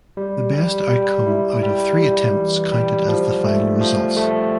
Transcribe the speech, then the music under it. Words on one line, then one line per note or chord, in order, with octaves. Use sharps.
The best outcome out of three attempts counted as the final results.
G3
G3
G3
E4
G3
G3
E3
G3
F3
A3
F3
A3